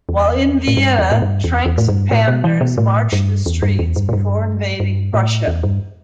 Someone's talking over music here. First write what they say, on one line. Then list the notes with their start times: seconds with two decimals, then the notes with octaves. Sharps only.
While in Vienna, Trenck's Pandurs marched the streets before invading Prussia.
0.09 E2
0.67 A2
0.77 G2
0.98 E2
1.12 A2
1.22 G2
1.44 E2
1.66 E2
1.78 A2
1.88 G2
2.11 A2
2.27 B2
2.44 E3
2.61 B2
2.78 A2
3.12 G2
3.46 E2
3.62 G2
3.79 E2
3.96 G2
4.09 A2
4.13 G2
4.80 G2
5.14 A2
5.47 E2
5.63 G2